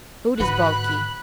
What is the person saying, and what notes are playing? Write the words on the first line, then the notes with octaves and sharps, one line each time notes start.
Food is bulky.
G#2 D3 F#4 B4 B5 F#6